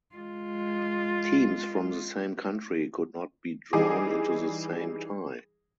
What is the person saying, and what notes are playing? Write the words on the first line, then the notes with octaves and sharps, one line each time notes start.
Teams from the same country could not be drawn into the same tie.
G#3 F4
E3 G3 D#4 G#4 D6